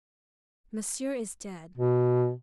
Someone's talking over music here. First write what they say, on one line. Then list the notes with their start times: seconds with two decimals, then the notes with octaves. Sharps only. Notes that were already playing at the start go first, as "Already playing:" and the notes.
"Monsieur is dead."
1.78 B2